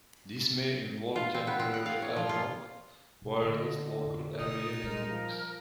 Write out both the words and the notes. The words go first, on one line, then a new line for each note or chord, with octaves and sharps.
This may involve temporary ad hoc wireless local area networks.
F4
C4
B3
C4
F#5
F5
C#5
F3
F4
B2
D3 D4 D#5
F2
G#2 B2 D#4 D#6
A#2 G3 G#3 A#4
F3